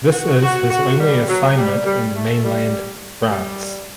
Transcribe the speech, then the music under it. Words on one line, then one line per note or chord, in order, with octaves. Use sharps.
This is his only assignment in mainland France.
F#4
F#4
F#4
G3
F#3
G3
G3
A3
G3
G3